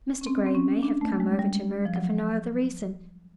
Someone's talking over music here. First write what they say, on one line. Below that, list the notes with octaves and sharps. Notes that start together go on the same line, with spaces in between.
Mr. Grey may have come over to America for no other reason.
C#4
C4
C4
C#4
D4
A3
G#3
G3
F3
F#3